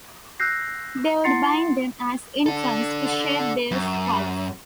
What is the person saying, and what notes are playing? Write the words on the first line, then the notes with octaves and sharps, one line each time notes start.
They would bind them as infants to shape their skulls.
E6 F#6 G6 A#6 C7
E4 F#5 C6 A6 C7 C#7
D4 A4
F#2